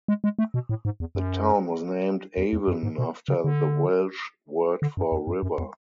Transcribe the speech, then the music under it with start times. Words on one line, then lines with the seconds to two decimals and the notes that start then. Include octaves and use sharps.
The town was named Avon after the Welsh word for river.
0.08 G#3
0.24 G#3
0.39 A3
0.54 B2
0.69 A2
0.85 G#2
1.00 E2
1.15 F#2
2.37 E2
2.53 E2
2.68 F#2
2.83 G#2
2.98 B2
3.28 C#3
3.44 D3
4.82 D3
4.97 F#2
5.12 E2
5.27 F#2
5.43 F#2
5.58 E2